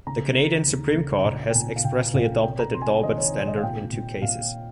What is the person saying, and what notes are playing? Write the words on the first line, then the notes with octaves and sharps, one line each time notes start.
The Canadian Supreme Court has expressly adopted the Daubert standard in two cases.
C#3 A#5
C#3
D#2
C#3
A#1 A#5
G5
A#2 G#5
F5
A#1 G5
A#1 F5
C3 G5
A#5
C3 C6
G#5
A#5
D#3 D#5
C#5
C3 C#5
D#5
F5
A#2 G5
A#2
A#2 F5